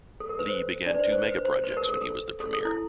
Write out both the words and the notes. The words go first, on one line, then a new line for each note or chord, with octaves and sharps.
Li began two megaprojects when he was the Premier.
A4
A#4
B4
C5
D4 D5
B4
C5
C5
B4
C5
B4
A#4
A4
A4
A4
A4
E4